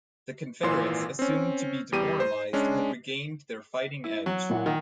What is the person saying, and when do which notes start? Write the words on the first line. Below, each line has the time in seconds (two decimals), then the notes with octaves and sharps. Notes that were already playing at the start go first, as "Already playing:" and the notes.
The Confederates, assumed to be demoralized, had regained their fighting edge.
0.63 G#1 A#2 E3 C6
1.19 C4 C#4
1.92 E2 G3 G4 D#7
2.20 C5
2.53 G#3 C#4 D4
4.04 E4
4.26 F#3
4.50 A#2 E4 F#5
4.66 D#3